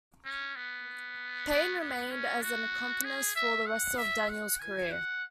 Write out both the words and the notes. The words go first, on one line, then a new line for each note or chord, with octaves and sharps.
Payne remained as accompanist for the rest of Daniel's career.
C#4
B3
B3
B3
C#4
F#4
G#4
E5
F#5
E5
F#5
G#5
F#5